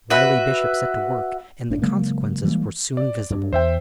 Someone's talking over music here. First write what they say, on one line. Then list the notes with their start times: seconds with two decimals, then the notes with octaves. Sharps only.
The wily bishop set to work, and the consequences were soon visible.
0.10 F#4 B4 E5
1.70 F#1 A2 D4
1.82 C#3 F#3 G#3 A#3
2.44 E3 G3 G#3 A#3
2.97 D5
3.31 G2
3.53 E2 C5 E5 G5